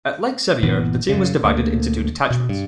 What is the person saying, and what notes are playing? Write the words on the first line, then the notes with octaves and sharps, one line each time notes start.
At Lake Sevier, the team was divided into two detachments.
G1 A#2 E3 B3
F#2 C#3
D2 A#3
B2
G2